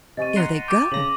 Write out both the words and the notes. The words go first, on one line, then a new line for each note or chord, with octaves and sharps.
"There they go!"
C3 D#5 G#5 C#6 A6 D#7
F#5 A#5 C6
G5 D6
C#3 A#5 A#6 F#7